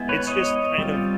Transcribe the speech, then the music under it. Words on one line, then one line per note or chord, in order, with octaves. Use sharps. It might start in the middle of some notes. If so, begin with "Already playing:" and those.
it's just kind of
Already playing: G#3 B3 E4
B4 C#5
C#5 D#5
G3 C4 F4